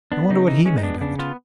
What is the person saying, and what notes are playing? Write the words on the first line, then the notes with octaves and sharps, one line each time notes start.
I wonder what he made of it?
B3 D4
C#3 D#4
E3 D#4
G#3 C#4
D#4
B3 D4
C#3 D4
B3 F4